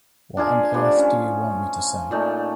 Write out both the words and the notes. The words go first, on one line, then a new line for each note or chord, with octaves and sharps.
What on earth do you want me to say?
D4 F4 G#4 A#4
F3 G3 A3 D4
C#4
A#2 A3 D#4